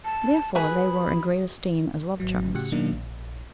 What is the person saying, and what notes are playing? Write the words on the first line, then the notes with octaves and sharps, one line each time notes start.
Therefore they were in great esteem as love charms.
A5
F#4 G#4 B4 B5
G#1 F#3
A2 C#3 F#4 G4 F#6 C#7
B2 D#3 F#3 A#3 D4 D#4
A#1